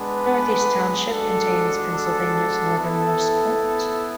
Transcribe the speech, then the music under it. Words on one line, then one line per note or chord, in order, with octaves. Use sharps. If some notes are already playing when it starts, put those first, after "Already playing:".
North East Township contains Pennsylvania's northernmost point.
Already playing: G#3 B3 D4 B4
G#3 D4 F#4 A4
A4
B3 E4 A4